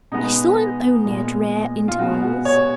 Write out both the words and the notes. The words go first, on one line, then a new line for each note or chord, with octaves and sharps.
I saw him only at rare intervals.
B2 G#3 B3 D#4
A#2 G#3 B3
F4
B2 G#3 B3 F#4
F#4
C#5